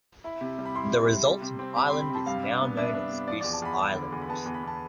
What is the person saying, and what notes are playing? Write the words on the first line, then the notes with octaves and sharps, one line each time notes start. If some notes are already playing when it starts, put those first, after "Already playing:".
The resulting island is now known as Goose Island.
E4 B5
C3
G3
B5
E4 C6
E4
C3
G3
C3
C4
C4 B5
C4 C6
B5
C3 A5
G2 F5
D4
B3
D4 E5
D4
B3
F3 D5
E2 D5
A5
E2 B5
E2 B5
D3
E2
B5
B3 A5
E2
B5
E2 A5